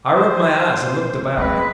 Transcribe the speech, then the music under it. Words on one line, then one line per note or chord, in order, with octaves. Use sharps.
I rubbed my eyes and looked about me.
C5
F#3 G#3 B3 C4 B4